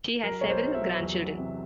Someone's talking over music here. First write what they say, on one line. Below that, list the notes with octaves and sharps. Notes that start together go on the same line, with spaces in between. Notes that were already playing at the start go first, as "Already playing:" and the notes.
She has several grandchildren.
F#3 A#4
B1 C#5
C5
F#3
E5
F#3
E2
E2
C3